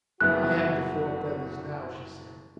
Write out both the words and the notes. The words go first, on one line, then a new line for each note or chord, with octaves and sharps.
"I have the four feathers now," she said.
F#1 G2 B3 E4 F#4 G#4 F#6